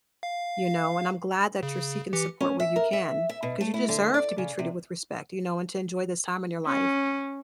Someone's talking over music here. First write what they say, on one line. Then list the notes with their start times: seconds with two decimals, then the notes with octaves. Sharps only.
you know, and, I'm glad that you're seeking support where you can, because you deserve to be treated with respect, you know, and to enjoy this time in your life.
0.23 F5
1.63 C#3
2.13 E3 G4 C#7
2.41 C#4
2.60 E5
2.76 A#4
2.93 E5
3.29 E5
3.43 B2
3.61 A3
3.74 E4
3.88 D3
4.14 D5
4.38 C#3
4.59 C3
6.66 C#4